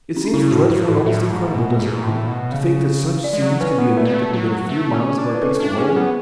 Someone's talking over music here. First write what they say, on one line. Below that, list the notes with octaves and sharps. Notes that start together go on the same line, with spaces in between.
It seems dreadful and almost incredible--does it not?--to think that such scenes can be enacted within a few miles of our peaceful home.
C#4
D4
C#3 E4
A2 F#4
G#2 F#4
A2 A4
A2 E5
G#2
B2
G#2
A2
B2
C#3
D5
G#3
F#3
C#4 B4
B3
A3 B4
B3
A3
F#3
A3
C#4
D4
B4
C#4 A4
D4
C#4 G#4
B3